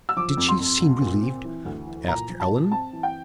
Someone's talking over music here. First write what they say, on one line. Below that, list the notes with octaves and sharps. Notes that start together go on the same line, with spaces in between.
"Did she seem relieved?" asked Allan.
E6
F3 D6
F2
C6
F2
C2
A#2
C4
E3
D2
E3
A#2 A#5
F3
A5
A#2
C4 A5
E3
G5